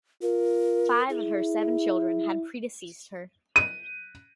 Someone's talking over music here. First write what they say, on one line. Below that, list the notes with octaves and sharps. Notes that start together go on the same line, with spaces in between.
Five of her seven children had predeceased her.
F4 A#4
E4 G#4
D#7